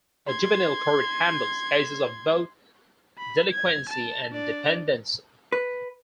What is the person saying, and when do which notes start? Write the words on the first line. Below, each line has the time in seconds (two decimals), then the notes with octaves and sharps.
A juvenile court handles cases of both delinquency and dependency.
0.27 C6 G#6
3.19 B5
3.52 G#6
3.90 A5
4.32 D4 D5
5.52 B4